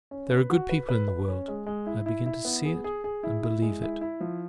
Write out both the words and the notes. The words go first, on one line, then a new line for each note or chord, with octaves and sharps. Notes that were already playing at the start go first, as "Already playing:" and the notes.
There are good people in the world: I begin to see it, and believe it.
C#4
B4
F#4
B4
B4
B4
C#4
G#3
G#3
E4
E4
E4
B3
G#4
G#4
G#4
E4
E4
G#3
E4
E4
F3